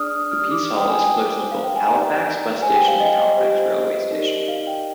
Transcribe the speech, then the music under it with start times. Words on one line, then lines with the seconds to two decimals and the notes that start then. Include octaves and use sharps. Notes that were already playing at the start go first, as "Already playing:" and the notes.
The Piece Hall is close to both Halifax bus station and Halifax railway station.
Already playing: D4 G#4 D5 D#6 F6
0.31 F6
0.39 G4 D5 D#6
0.51 D6
0.64 D#6
0.76 G5
0.89 G#5
1.13 G4 C5
1.51 F5
1.64 G5
1.75 G#5
1.88 D#4 G4 D5 A#5
2.62 G4 C5 G#5
2.75 G5
2.88 F5
3.00 D#5
3.18 D#5
3.37 G4 C5
4.11 D#4 G4 A#4 D5
4.48 F5
4.67 G5